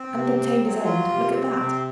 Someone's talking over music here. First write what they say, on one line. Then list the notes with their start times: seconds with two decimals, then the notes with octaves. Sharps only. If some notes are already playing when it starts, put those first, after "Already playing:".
"And obtained his end; look at that."
Already playing: C4
0.13 C3
0.37 C4
0.60 F#3
0.85 F4
1.09 C3
1.33 C4
1.57 C3